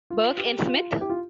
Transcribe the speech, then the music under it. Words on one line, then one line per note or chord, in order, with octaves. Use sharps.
Burk and Smith?
F4
G4
F4
E4
G4
F4